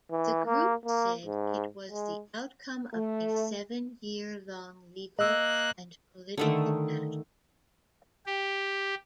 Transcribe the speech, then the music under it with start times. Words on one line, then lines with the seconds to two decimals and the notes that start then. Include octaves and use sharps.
The group said it was the outcome of a "seven-year-long legal and political battle".
0.11 E3
0.46 A#3
0.85 A#3
1.26 G#2
1.91 G#3
2.92 A3
5.19 A#3 D#5 E6 F#6
6.38 D3 D#3 A3
8.26 G4